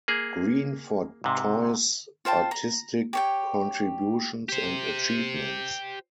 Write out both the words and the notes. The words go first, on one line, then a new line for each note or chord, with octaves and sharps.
Green for Toi's artistic contributions and achievements.
A#3 G#4
G#2 C3
F4 C5 G5 A5
A#5
G4 C#5 G5
G4 C5